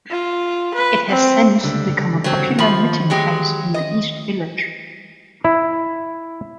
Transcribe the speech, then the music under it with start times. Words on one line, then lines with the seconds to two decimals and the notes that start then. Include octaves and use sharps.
It has since become a popular meeting place in the East Village.
0.11 F4
0.74 B4
1.08 C4
1.64 C#2 D3 G3
2.24 F#3 C4
2.59 D#3 F3 B5
3.10 F#3 G#3 G4
3.74 D#5
5.45 E4